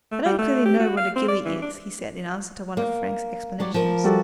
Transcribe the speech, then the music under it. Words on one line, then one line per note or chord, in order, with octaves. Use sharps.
"I don't clearly know what a gillie is," he said, in answer to one of Frank's explanations.
A3
G3
A3
G4
F#4
F5
C4
D5
E3
D4
A#3
F#3 G3 D5
F3 A#4
G3 F#4 A4